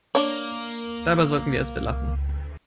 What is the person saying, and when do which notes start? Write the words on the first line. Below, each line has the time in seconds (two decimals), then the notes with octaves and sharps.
Dabei sollten wir es belassen.
0.15 A#3 D4 C#5